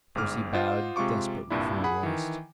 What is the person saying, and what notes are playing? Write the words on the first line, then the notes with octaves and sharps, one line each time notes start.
Percy bowed, desperately, from the waist.
G1 G#2 D6 F6
F4 C5 D#5 F#5
C3 G#3 F4 C#6 D6
C2 G2 A#2 D4 E4
G#4 F#5 B5
D#3 E3